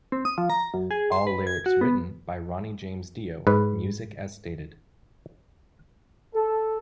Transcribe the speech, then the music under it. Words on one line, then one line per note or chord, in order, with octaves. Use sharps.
All lyrics written by Ronnie James Dio, music as stated.
C4
D#6
F3
A#5
F#2
G#4
C6
B4
G#6
F#4
B3
G#2 B4
A4